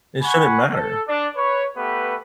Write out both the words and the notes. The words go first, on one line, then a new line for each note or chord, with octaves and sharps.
it shouldn't matter.
F#5 G#5 B5 C#6
A4
D4
B4 C#5
A3 B3 G4 B4